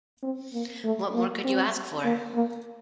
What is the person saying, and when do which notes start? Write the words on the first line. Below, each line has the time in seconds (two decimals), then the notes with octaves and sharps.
What more could you ask for?
0.23 C4
0.53 A#3
0.84 A3
1.14 A#3
1.44 C4
2.04 A#3
2.35 A#3